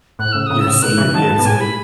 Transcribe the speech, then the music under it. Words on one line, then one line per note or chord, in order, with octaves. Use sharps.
Your senior year too.
A2 F#6
A2 C#3 E6
A2 C#3 D#6
E6
A2 C#3
B2 D#3 F#6
C#3 E3
D#3 F#3 A5
G#2
B2
A2 G#5
B5